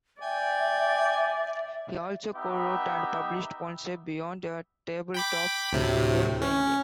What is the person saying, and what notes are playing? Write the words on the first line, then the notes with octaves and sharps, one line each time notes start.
He also co-wrote and published "One Step Beyond", a tabletop role-playing game.
D5 E5 G5 G#5
B3 D#4 G4 E5
G5 B5 D6
D2 A2 C3
C#4